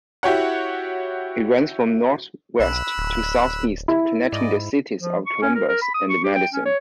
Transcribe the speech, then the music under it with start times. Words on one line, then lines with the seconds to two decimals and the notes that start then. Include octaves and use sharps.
It runs from northwest-to-southeast connecting the cities of Columbus and Madison.
0.23 E4 F#4 G4 C#5 F#5
2.60 B1 B5 E6 F#6
2.98 D1
3.88 E4
4.32 G#2 D5 D#5
5.00 F3
5.26 C#6
5.42 C#4
5.55 A#4
5.68 A#4
5.82 B5
5.94 D#6
6.10 C#6
6.24 G4
6.35 G5
6.53 C#4
6.65 C#5